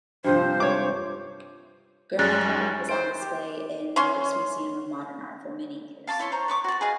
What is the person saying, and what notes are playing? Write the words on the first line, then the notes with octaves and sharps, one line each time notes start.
"Guernica" was on display in New York's Museum of Modern Art for many years.
G2 C3 F3 C5
C#5 D6
F#2 G3 G#3 C#4 F#6 A6
C5 D7
G4
C#4 C6
F5 A5 C6 D6
E4 C#5 C6
C5 C#5 A#5
B4 C#6 D6
F#4 D5
G#4 B4 D#5 F5